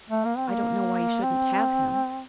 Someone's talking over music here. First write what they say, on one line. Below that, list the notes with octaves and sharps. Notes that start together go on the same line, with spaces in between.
I don't know why you shouldn't have him.
A3
A#3
C4
A#3
C4